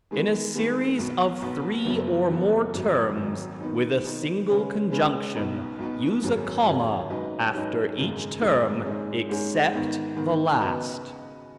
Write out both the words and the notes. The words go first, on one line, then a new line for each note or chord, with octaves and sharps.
In a series of three or more terms with a single conjunction, use a comma after each term except the last.
D#3 G#3 B3
D#3 G#3 B3
B1 B2 B3
B1 B2 B3
F#1 F#2 F#3 B3
F#1 F#2 F#3 B3
G#1 F#2 F#3
G#1 F#2 F#3
D#3 B3 D#4
D#3 B3 D#4
C#3 G#3 C#4 B4
C#3 G#3 C#4 B4
B1 B2 B3 D#4
B1 B2 B3 D#4
G#1 F#2 F#3 C#4 G#4
G#1 F#2 F#3 C#4 G#4
G#2 F#3 C#4 B4 D#5
G#2 F#3 C#4 B4 D#5
G#1 F#2 C#3 G#3
G#1 F#2 C#3 G#3
G#2 G#3 C#4
G#2 G#3 C#4
G#2 D#3 B3
G#2 D#3 B3
C#3 B3 F#4 B4 D#5